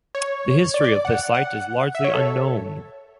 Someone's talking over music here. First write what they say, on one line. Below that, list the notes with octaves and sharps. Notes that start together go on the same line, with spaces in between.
The history of this site is largely unknown.
C#5
D5
D5
F#5
F#5
E5
C#5
A4